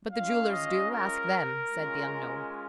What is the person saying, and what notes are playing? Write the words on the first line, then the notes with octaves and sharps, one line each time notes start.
"But the jewelers do: ask them," said the unknown.
G#3 C#4 F4 F5
D#5
A#4
G#3 C#4 F4